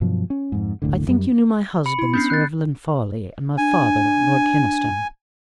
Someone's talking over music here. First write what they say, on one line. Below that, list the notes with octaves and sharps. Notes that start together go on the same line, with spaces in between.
'I think you knew my husband, Sir Evelyn Fawley, and my father, Lord Kynaston.'
G2 B2 F3 F#3
C#4
F2 G#2
F#1 D2 A2 D3
F#2 G3
B5 C#7
E4 C6
B3 C#4 D4 G6 C7
F#6 A6
D4 G#5